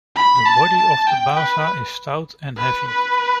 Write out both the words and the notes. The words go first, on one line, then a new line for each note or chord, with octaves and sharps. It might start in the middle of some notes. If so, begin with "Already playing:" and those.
The body of the basa is stout and heavy.
B5
A5
A5
G5
B4
B4
B4